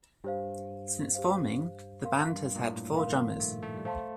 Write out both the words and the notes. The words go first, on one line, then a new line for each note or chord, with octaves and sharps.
Since forming, the band has had four drummers.
G2 G4 C5 F5
G4 C5 F5
A#4 F5 C6
G2
A#2
A2
D#3 A#4 F5 C6
F3
A3
A3
G3
A3 C5 F5 A5 C6